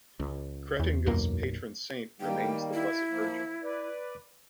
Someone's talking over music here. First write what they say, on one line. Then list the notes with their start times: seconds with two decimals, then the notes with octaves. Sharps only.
Kretinga's patron saint remains the Blessed Virgin.
0.20 C#2
0.79 E2
1.06 B1 F#2 A#3
2.21 D#3 G3 A#3 G5
2.73 E4
3.10 F3 A#3
3.64 B4 D5